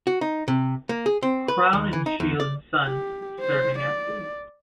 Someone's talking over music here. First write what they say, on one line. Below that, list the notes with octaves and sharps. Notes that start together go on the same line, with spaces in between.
Crowninshield and Sons, serving at sea.
F#4
D#4
C3
A#3
G#4
C4
B4
D#2
E3
D#4
E2
D5
G4
C5
D5